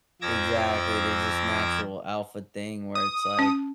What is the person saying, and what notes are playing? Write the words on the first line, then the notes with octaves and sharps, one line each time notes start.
exactly. There's this natural alpha thing where it's like
F2 F3 D6 E6 G#6 A#6
D#6
C#4 A5